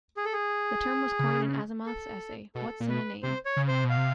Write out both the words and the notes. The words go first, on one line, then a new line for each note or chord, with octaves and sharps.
The term was coined in Asimov's essay What's in a Name?
G#4
A4
G#4
C#3
A4
B2 A4
A#2
B2 B4
C3 C5
C#5
C#3
C3 C5
B2
F5
C3